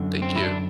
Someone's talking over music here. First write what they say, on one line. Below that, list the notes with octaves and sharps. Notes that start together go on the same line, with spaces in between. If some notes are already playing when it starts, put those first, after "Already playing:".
Thank you.
Already playing: F#2 D3
C4
E4
D4